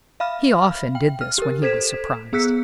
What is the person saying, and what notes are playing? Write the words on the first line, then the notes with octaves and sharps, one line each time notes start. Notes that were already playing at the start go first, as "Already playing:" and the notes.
He often did this when he was surprised.
E5 F5 B5 F6
G5
F6
G4 A#4
A4 C5 G#6 B6 E7
B3 G#4 E6 F#6 B6 C#7